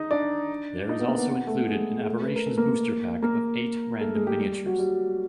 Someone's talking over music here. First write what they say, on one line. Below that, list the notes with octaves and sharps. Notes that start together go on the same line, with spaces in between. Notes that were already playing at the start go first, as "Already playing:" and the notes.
There is also included an Aberrations booster pack of eight random miniatures.
Already playing: D#4 D#5
D4 D5
D#4 D#5
B3 B4
A#3 A#4
B3 B4
B3 B4
A3 A4
G#3 G#4
G#4
A3 A4
B4
A#4
A4
A#3 A#4
A#3 A#4
A3 A4
G#3 G#4
G3 G4
G3 G4
G3 G4
F#3 F#4
G3 G4